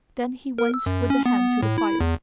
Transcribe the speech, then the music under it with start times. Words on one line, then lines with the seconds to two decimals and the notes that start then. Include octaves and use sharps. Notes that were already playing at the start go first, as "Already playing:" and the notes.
Then he went with the hand to the fire.
0.58 A#4
0.74 E6
0.86 F#2
1.10 C#4
1.26 B3
1.63 A2
1.78 E4
2.00 E2